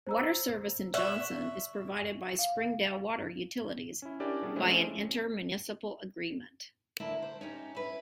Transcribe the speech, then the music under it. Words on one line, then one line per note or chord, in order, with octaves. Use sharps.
Water service in Johnson is provided by Springdale Water Utilities by an inter-municipal agreement.
C5 A#5 E6
E5 C#6 F#6 F#7
F5
C#4 E4
C#4 D4 E4 G4 A#4 D5
B2 G3 C#4 D4 G#4
F3 G#3 A3 C4 C#4 E4
D2 A#3 E4 A5
C5
C#4 D#4 G4
E4 B4